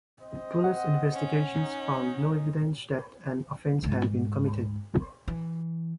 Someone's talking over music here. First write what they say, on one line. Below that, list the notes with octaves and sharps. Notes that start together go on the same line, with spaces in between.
Police investigations found no evidence that an offence had been committed.
C4 C5 D#5
F#5
C#4
D#4
D2 G#2
E3